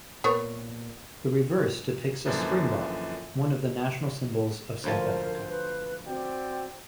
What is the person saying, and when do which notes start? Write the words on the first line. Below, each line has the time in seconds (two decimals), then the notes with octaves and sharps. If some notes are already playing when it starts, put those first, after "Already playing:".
The reverse depicts a springbok, one of the national symbols of South Africa.
0.24 A#2 B3 A#4 C#5
2.25 F#2 A#2 D3 E3 F3
4.84 D2 F3 A#4 C5 A5
5.48 B4
6.07 C4 F#4 D5 G5